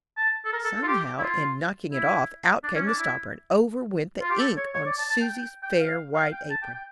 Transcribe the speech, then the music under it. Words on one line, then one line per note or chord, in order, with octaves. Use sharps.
Somehow, in "knocking it off," out came the stopper, and over went the ink on Susy's fair white apron.
A5
A4
A#4
A4
A4
F4
G4
E4
F4
E4
D4
C#4
D4
E4
F4
G4
A4
C#5
C#5
D5
A5
A5
G5
G5
G5
F5
F5
G5
A5
G5
G5